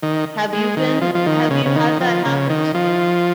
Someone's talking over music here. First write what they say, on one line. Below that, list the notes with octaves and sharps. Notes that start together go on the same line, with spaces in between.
Have you been have you had that happen to you?
D#3
G#3
D#3
F3
F3
D#3
C#3
C#3
D#3
F3
C#3
D#3
F3